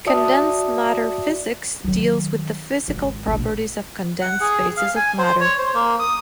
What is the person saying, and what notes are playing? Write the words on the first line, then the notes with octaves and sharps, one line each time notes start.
"Condensed matter physics" deals with the physical properties of condensed phases of matter.
F#4 D5 E5 A5 D#6
D#3 F#3
D#1 G#1
A#1 B2
F#5
G#4
F5
G#5
C5
C#5
C5
A#3
D#6